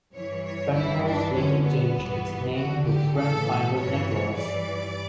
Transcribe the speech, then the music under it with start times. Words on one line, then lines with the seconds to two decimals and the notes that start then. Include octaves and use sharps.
Penthouse later changed its name to FriendFinder Networks.
0.14 G2 E3 C#5
0.45 C#5
0.74 G2 E3 E4
1.05 D4
1.35 F#2 D3 C#4
1.65 B3
1.95 G2 E3
2.55 E2 D3 F#4
2.86 G4
3.15 A2 E3 A4
3.76 G2 E3 C#5
4.36 G2 E3 D5